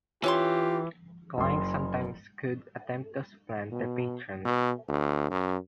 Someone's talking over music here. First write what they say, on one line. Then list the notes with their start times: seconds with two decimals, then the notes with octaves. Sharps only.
Clients sometimes could attempt to supplant their patron.
0.24 E3 C#4 F4 G4 C#5 C6
1.38 F#1 F#2 C6
3.72 B2
4.45 B2
4.88 D2
5.31 F#2